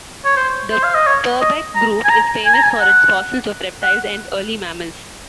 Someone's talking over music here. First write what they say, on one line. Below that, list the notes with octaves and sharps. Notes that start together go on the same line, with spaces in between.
The Purbeck Group is famous for its fossils of reptiles and early mammals.
C#5
C5
C5
F5
D#5
C#5
D#5
A#5
G#5
A#5
G#5
A#5
G#5
F#5
F#5